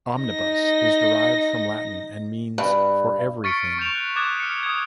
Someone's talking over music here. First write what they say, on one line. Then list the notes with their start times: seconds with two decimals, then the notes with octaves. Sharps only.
"Omnibus" is derived from Latin and means "for everything".
0.22 D#4 A#6
2.58 G2
3.44 C#6 F6 A6 B6 C#7 D7
3.78 C#6 G6 D7 E7 F7
3.95 F#6
4.16 D6 D#6 F#6 G#6 A6 E7
4.40 F6 C#7
4.63 D#6 G#6